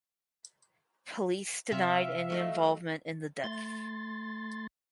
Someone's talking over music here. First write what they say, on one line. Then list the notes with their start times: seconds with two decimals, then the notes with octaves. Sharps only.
Police denied any involvement in the death.
1.72 C3 E5 F5
2.30 F#3 A3 D#4
3.44 A3 C6 A6